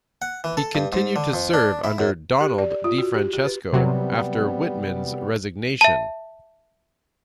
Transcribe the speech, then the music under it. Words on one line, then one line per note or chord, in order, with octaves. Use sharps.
He continued to serve under Donald DiFrancesco after Whitman's resignation.
F#5
E3
A4
G2
G#2
D3
F2
D4
E4
F#2
G4
D5
D5
F4
F#4
G4
G4
B4
C3 F#3 G3 B3
E5 A5